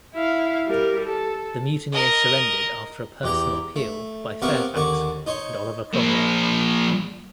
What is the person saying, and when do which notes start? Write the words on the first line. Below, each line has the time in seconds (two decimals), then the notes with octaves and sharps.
The mutineers surrendered after a personal appeal by Fairfax and Oliver Cromwell.
0.14 E4 F5
0.67 G3 A#4
1.05 A4
1.92 A#4 D#5
3.23 E2 G4 A#5
3.76 A3
4.42 C3 B3 A#4 F5 C#6
4.75 D#2 D3 C#6 D6
5.27 D#4 C5 C#5
5.93 F3 A#3